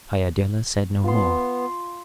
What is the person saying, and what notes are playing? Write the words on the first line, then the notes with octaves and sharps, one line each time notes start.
Iadilla said no more.
B3 F4 C6